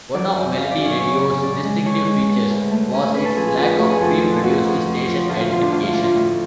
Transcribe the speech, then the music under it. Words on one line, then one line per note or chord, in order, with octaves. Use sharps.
One of Melody Radio's distinctive features was its lack of pre-produced station identification.
F#3 D5
F#2
F#3 F5
D5
F#2
C#5
C#3 C#5
C#3
C#4 D5
G#3
D3 C#5
G#3
B3
D2
A3
C#4
C#4 B4
A4
F3 G#4
G#4
F2 B4
A3 F#4
G#4
F2 A4
F3
F2 F#4
F2
F2
F3
D2 F4
F4
F3 F4
D4
D2 F4
F4
D2 D4
F4
A2